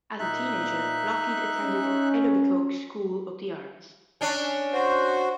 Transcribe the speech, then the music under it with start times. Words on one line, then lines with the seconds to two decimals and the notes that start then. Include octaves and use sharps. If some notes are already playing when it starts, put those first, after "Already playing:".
As a teenager, Lougheed attended Etobicoke School of the Arts.
0.19 A#2 D#4 E5 F#6
1.58 C#4
4.21 C#4 D4
4.73 F#4 C5